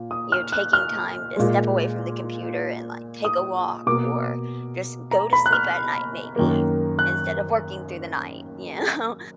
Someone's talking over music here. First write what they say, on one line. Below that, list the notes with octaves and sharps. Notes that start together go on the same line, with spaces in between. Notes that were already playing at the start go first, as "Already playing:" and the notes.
you know, taking time to step away from the computer and, like, take a walk, or just go to sleep at night maybe instead of working through the night, you know?
Already playing: A#2
D#6
F6
F#6
F6
A#2 G#3
D#6
B2 A#3 D6
A#5
B5
F#6
F6
F#2 D#3 A#3
F#6